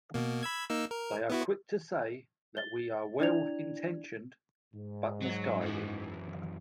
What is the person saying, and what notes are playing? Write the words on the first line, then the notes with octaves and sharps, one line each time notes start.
They are quick to say that we were well-intentioned, but misguided.
B2 A#3
B5 E6 G#6
A#3 D#4 E6
A#4
B3 E4 F#4
A6 G7
D4 E4 D5 G#6 F7
G#2
F#3
F#2 E3